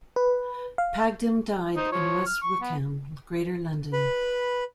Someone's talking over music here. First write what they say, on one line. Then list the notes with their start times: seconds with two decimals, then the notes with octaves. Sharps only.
Padgham died in West Wickham, Greater London.
0.16 B4
0.78 F5
1.77 D#4 C5
1.92 F3 C#5
2.26 F6
2.42 C#6
2.61 B3
3.93 B4 B5